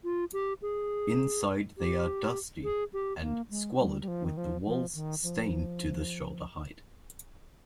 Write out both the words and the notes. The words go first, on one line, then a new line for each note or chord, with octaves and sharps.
Inside they are "dusty" and "squalid" with the walls "stained to shoulder height".
F4
G4
G#4
G4
G#4
G4
A#3
G#3
G3
G3
F3
D#3
F3
F3
D#3
F3